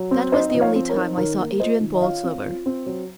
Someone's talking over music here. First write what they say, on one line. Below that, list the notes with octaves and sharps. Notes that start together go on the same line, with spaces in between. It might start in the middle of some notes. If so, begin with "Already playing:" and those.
That was the only time I saw Adrian Borlsover.
Already playing: F#3
C4
D#4 C5 D#5
D#5
F3
C#5 F5
C4
A#4 C#5
D#4
D#3 A#4 C#5
A#3
F4 C5 D#5
D#3
D#5
F4 C#5 F5
C4
F4
C4
F#3